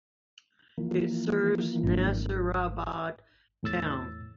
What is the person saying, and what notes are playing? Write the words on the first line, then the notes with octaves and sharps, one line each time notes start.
It serves Nasirabad town.
E3 F3 A#3
G#1 C#3 D4
E2 A2 E6 A6